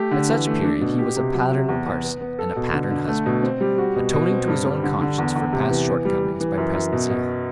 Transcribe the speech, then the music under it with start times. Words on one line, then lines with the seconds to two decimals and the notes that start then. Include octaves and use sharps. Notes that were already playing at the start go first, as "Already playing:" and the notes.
At such period he was a pattern parson and a pattern husband, atoning to his own conscience for past shortcomings by present zeal.
Already playing: A3 G4
0.11 D3
0.29 E3
0.46 A3
0.64 D4
0.81 B2
0.98 G4
1.16 C3
1.34 F#3
1.51 C3
1.68 E2
1.86 E2
2.03 B3
2.21 B3
2.39 A4
2.56 B2
2.73 D3
2.91 D3
3.08 A3
3.26 B2
3.43 C4
3.60 G3
3.78 F#4
3.96 B2
4.13 B2
4.31 C4
4.47 G2
4.65 G3
4.83 D3
5.01 D3
5.18 E2
5.36 E2
5.53 C3
5.70 E3
5.87 B3
6.05 G3
6.23 E3
6.40 E3
6.57 F#2
6.75 F#2
6.92 B2
7.10 B2